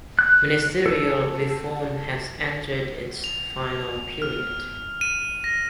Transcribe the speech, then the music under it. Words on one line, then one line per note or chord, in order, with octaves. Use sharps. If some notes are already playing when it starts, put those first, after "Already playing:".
Ministerial reform has entered its final period.
F#6
A4
F7
F6
D#7
A#6